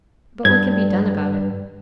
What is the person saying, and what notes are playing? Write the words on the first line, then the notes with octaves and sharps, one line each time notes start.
But what can be done about it?
G2 G#6